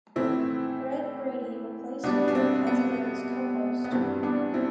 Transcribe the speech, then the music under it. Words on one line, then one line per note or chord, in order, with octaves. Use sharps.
Greg Brady replaced Marek as Bill's co-host.
A2 E3 A3 C4 E4
B2 G3 B3 D4
D4
C4
B3
B3
G2 E3 G3 C4
B3 D4
C4 E4